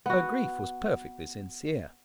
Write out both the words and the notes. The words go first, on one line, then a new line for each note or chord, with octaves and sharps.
Her grief was perfectly sincere.
B3 F#4